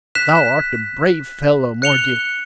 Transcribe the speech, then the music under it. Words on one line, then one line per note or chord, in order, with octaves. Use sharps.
Thou art a brave fellow, mordioux!
F#6 B6 E7
F#6 C#7 F7 G7